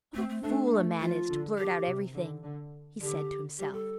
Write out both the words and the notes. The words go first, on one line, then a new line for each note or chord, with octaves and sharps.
"What a fool a man is to blurt out everything!" he said to himself.
A3 C4
A3
A3 D4
A3
F3 F4
D3
D3 G4
C3
D3
D3
D3 G4
G3 G4
A4